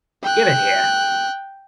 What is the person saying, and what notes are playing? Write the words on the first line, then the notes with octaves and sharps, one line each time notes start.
Give it here!
G5 F#6